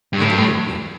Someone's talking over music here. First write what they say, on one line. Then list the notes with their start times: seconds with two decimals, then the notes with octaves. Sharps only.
"I do not know."
0.13 G2
0.21 A2
0.29 G2
0.37 A2